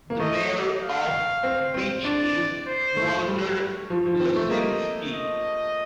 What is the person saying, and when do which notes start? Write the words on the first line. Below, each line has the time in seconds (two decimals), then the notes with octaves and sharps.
The mayor of Beach is Walter Losinski.
0.10 A#3
0.19 A3 D#5
0.51 D#5
0.82 F5
1.43 C4
1.74 C4
2.05 D4 D5
2.67 C5
2.97 A3
3.28 G3
3.90 F3
4.06 F3
4.20 C4
4.36 A3
4.51 A#3 D#5
5.12 D#5